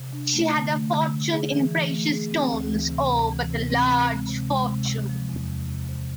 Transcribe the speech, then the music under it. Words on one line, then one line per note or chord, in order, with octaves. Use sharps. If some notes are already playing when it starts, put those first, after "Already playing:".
She had a fortune in precious stones — oh, but a large fortune!
Already playing: C3
D4
A3
D3
A3
D3
D3
G#4
E3
E3
A3
G#4
C4
D2
E3
C3
D2
E3
C3
C4
C3
G#3
C3
G#3
C3
C3
F3
E2
C3
C3
C3